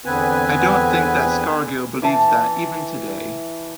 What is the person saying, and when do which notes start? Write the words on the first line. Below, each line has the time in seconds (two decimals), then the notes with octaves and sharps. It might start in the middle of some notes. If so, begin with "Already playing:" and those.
I don't think that Scargill believes that even today.
0.05 E2 D3 B3 C4 B4 G#5
2.02 E3 E4 A5